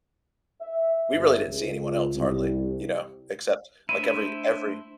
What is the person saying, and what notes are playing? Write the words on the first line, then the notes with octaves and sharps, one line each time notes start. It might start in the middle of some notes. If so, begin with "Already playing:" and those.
we really didn't see anyone else hardly, you know, except, like, every every
E5
G1
C#2
C2
A3 D4 E4 C5 E5 C6 D#7